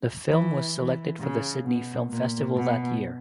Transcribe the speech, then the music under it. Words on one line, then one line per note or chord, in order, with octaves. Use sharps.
The film was selected for the Sydney Film Festival that year.
E3
E3
C#3
B2
A#2
B2